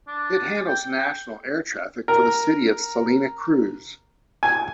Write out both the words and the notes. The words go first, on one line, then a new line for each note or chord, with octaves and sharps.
It handles national air traffic for the city of Salina Cruz.
D4
G5
A#4
G#5